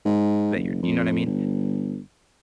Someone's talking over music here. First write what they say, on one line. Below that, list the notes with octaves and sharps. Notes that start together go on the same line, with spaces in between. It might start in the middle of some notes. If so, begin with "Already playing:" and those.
that you're you know what I mean?
G#2
F#1
F2
G1